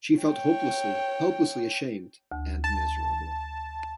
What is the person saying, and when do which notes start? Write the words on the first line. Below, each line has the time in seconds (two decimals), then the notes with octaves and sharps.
She felt hopelessly, helplessly ashamed and miserable.
0.20 C#5 G5
2.32 D2
2.64 A5